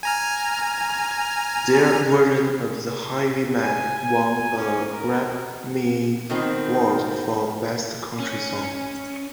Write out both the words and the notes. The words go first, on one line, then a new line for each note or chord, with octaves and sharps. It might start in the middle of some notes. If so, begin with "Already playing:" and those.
Their version of "The Highwayman" won a Grammy Award for Best Country Song.
G#5 A#5 F6
G#5
G#5
C#4
A#4
B2 D#3 C4
C#4